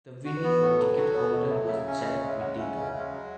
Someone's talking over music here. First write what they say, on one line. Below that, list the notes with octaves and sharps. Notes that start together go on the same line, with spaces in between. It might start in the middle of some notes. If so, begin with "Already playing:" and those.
The winning ticketholder was Jack Whittaker.
D#4 F#4
B4
B3
A2 E4 A4
F#4
F#3 A4
B4
F#4 A4
B3 C#5
A2 D#5
F#3 E5
C#3 E5
C#4
C#3 D#5
C#5
G#3
E5
C#3 F#5
C#4 E5
C#3 D#5
G#3 E5
F#3 F#5